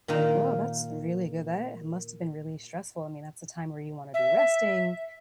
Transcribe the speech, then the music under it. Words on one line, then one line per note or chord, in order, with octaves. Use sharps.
Whoa, that's really good, that ha must've been really stressful, I mean, that's the time where you wanna be resting,
A#2 D#3 A#3
E5